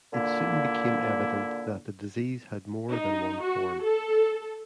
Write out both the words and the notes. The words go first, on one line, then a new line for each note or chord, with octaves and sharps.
It soon became evident that the disease had more than one form.
A#2 D3 A#3 E4
D#4
F#4
A4